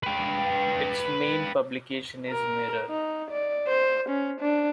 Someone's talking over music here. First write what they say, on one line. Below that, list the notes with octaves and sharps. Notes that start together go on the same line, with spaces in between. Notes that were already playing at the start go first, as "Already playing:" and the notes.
Its main publication is "Mirror".
B4 G5
A#4
D#4
D5
C5
C#4
D4